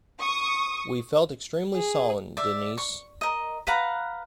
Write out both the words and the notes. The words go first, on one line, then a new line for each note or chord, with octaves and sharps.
We felt extremely solemn, Denise.
C#6 D#6
G#4
D5 E5
C#6
A#4 D#5
B4 F5 F#5 A#5